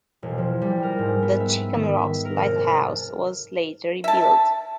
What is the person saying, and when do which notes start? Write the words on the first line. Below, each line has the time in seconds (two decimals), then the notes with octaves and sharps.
The Chicken Rocks lighthouse was later rebuilt.
0.23 E1
0.38 F3
0.62 G3
0.83 A#4
0.99 G#2
1.22 B3
1.40 E5
1.75 D#3
1.97 E5
2.25 A#4
2.37 F1
2.56 A5
4.04 E5 A5